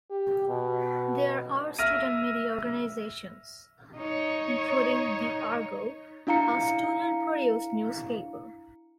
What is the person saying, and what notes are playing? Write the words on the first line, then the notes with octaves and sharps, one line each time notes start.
There are student media organizations, including the "Argo", a student-produced newspaper.
G4
B2
E5 F6 A#6 D#7
D#4 C#5
D4 E4 F5 A#5 C#7